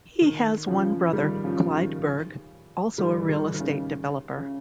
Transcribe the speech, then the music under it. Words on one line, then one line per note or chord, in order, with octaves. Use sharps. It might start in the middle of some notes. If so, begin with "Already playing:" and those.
He has one brother, Clyde Berg, also a real estate developer.
D#3
C#3 F3
D#3 G3
C#3 F3
D#3
D#3 G3
D#3 G3
D#3
C#3
C#3